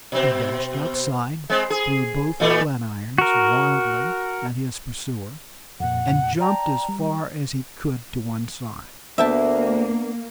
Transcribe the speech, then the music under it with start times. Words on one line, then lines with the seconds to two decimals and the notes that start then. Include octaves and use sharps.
He dashed outside, threw both flat-irons wildly at his pursuer, and jumped as far as he could to one side.
0.12 B2 C4
1.50 G#3 C4
1.70 G#4
2.40 A#2 E3 A3
3.18 F#4 A#4
5.80 F2 A#2 F#5
6.40 D5 G5 A5 A#5
6.89 G3
9.18 D2 A#3 B3 D4 E5 G5 A5